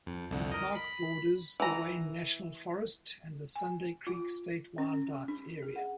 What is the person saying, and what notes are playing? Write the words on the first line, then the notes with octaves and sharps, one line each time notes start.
The park borders the Wayne National Forest and the Sunday Creek State Wildlife Area.
F2
C2 F2 D3
A#4 D#5
B5 B6
E3 A#5
G#5
F4
C#4
D4
G#4
F#5